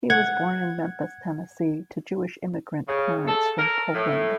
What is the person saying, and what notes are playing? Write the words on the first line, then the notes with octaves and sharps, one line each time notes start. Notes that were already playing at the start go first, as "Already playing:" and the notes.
He was born in Memphis, Tennessee, to Jewish immigrant parents from Poland.
F#5 G#6
C#3
A4
A#4
A2